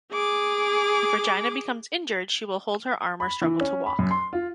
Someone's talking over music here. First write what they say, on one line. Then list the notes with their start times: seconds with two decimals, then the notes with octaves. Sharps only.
If Regina becomes injured, she will hold her arm or struggle to walk.
0.12 G#4 D6
3.20 B5
3.42 E3
3.61 C#4
3.86 B5
3.99 F#2
4.11 C6
4.33 F4